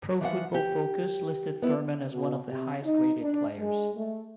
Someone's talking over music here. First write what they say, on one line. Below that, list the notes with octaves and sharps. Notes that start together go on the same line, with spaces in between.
Pro Football Focus listed Thurman as one of the highest graded players.
E3 F3 F#5
G4
B3 E4
B2
C3
D#4
D4
G#3
A3